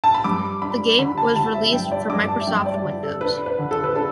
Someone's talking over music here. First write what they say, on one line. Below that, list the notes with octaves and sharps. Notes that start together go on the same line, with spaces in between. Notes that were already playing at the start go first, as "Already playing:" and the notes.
The game was released for Microsoft Windows.
A5
B5
G2 D6
D4 B5
D3 B5
A5
D3 A5
E5
G2 G5
D5
G2 D6
A5
E5
G2 G5
D5
D3
A4
D4 B4
B4
D3
A4
B4
D4 A4